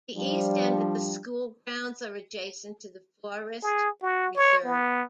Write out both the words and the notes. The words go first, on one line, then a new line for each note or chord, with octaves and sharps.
The east end of the school grounds are adjacent to the "Forest Reserve".
F3 G3 D4
G#4
F#4
C#5
B3